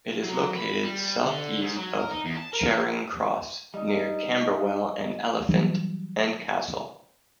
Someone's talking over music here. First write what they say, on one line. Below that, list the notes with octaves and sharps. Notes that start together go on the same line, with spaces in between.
It is located south east of Charing Cross, near Camberwell and Elephant and Castle.
F#3
B5
G3
D3
G#2
F#3
A#4
D#4
E2
A5
A#4
A#3
G3 D#4 D#5
E3 F#3 G3 D4